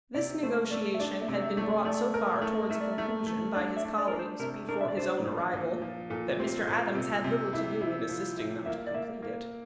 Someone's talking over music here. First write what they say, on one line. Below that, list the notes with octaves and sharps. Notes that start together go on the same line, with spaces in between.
This negotiation had been brought so far towards conclusion by his colleagues before his own arrival that Mr. Adams had little to do in assisting them to complete it.
C3 D5
A3 C5
A3 D5
E5
D4 D5
E5
C3
D5
E5
A3
D5
A3 D5
A#4
A3
A3 E5
D5
E5
A3
A3
D4 D5
E5
D4
D5
D4 A#4
C5
C3 A#4
D4 A#4
E5
D5
D4 C5
A#2
A#2
F3
A#2 A4
C4 G4
A#2 A4
C3
C3
E4
E4
F3
E4
A#3 E5
D5
A#3 E5
A#3